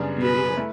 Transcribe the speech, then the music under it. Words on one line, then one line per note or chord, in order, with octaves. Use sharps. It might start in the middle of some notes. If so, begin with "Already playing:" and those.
Yeah, yeah.
Already playing: F#2 C#3 G3 B3 D4
B4
A3 E4